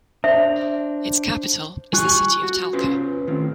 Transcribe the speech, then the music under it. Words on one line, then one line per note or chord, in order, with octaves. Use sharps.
Its capital is the city of Talca.
D4 C5 E5
G3 F4 G4 G#5 C#6 F#6
F#4
C#4 F4 B4 C5
A2 D#3 C4 F4